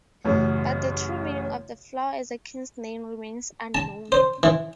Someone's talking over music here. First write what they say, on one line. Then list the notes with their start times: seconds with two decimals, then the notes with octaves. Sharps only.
But the true meaning of the flower as a king's name remains unknown.
0.24 A1 F#2 C#3
3.75 A5
4.12 C5
4.43 E3